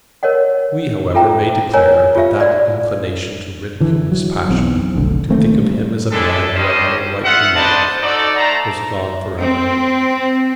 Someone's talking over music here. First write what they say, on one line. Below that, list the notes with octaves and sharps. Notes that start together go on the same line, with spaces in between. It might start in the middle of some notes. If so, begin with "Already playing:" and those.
We, however, may declare that that inclination to ridicule his passion, to think of him as a man who had no right to love, was gone forever.
A#4 C#5 D#5 F#5
F4 A4 E5 G5 A#5
A#4 C#5 D#5 G#5 A#5
F4 G4 E5 F5
F#4 D5
D3 E3
F#3
B1 E2 C4
F1 B1 D3
D#3 A3 A#3 C4
G2
G#3 D4 E4 G4 A4
G3 C#4 D4 C5 D#5
F4 E5 F#5
D4 B4 C5 D#5 A5
D#4 F#4 A4 D5
A3 C5 A5 A#5
C4